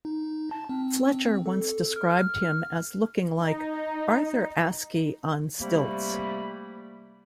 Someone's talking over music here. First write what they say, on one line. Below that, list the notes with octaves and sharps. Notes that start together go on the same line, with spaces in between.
Fletcher once described him as looking like 'Arthur Askey on stilts'.
D#4
A5
C4
A4
F6
D#4
C3 G3 A3 A#3 B5